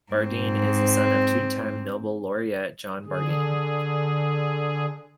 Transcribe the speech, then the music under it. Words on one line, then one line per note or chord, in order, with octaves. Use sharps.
Bardeen is the son of two-time Nobel Laureate John Bardeen.
G#2 C4
D3 G#4